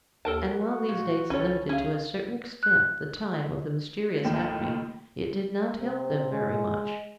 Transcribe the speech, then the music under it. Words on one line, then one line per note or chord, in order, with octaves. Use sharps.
And while these dates limited, to a certain extent the time of the mysterious happening, it did not help them very much.
D#2 A4 A#4 A5
F#4
A#2
C#2 G3 C#4 A4 C#5
C#4 G#4 F5
F#6
D#2 A2 D#3 F3
C3
G#3